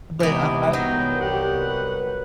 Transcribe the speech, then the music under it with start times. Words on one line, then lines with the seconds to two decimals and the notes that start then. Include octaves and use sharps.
But I've I
0.20 C3 E3 G#3 B3 D#4 D6
0.73 C2 F#3 B3 D#4 G5
1.20 G4 F#5
1.59 B4